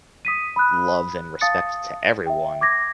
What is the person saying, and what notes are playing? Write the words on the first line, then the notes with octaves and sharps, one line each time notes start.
love and respect to everyone."
D#6 B6 D#7
B5 D#6 F#6
F5 A5 D#6 A6 C#7
E5 G5
D6 G#6 A#6